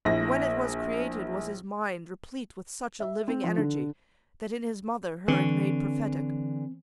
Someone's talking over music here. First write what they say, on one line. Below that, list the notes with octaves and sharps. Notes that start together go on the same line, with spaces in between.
And when it was created was his mind Replete with such a living energy, That in his mother her it made prophetic.
A#1 E4 A#6
E5
C4
F3
D3
D3 E3 C4 C#5